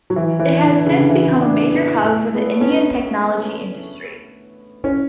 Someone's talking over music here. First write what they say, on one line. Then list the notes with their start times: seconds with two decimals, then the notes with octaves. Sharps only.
It has since become a major hub for the Indian technology industry.
0.10 F#3
0.16 E3
0.39 E3
0.63 D3
0.86 C#3
0.98 D3
1.10 E3
1.41 D4
1.72 B3
2.04 A3
2.34 B3
2.61 C#4
2.65 B3
4.84 C#4